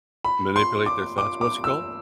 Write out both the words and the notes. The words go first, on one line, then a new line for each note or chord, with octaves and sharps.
manipulate their thoughts. What's it called?
B5
C6
D6
D6
D6
E6